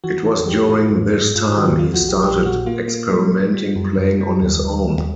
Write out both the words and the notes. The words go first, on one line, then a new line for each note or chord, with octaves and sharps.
It was during this time he started experimenting playing on his own.
E3 F#4
E3
E3 G4
A2 F4
G#2
G#2
G#2 F4
G4
D#3 F#4
F3 F4
F#4
A#1
G4
A#1 G4
A#2 F#4
A#3 F4
A#3
G3
G3
G3
F#2
F#2
G3
D#2
D#2
D#2